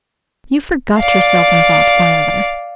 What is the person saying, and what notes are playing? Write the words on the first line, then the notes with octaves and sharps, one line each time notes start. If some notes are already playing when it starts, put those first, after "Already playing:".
You forgot yourself in thought for another.
D5 F5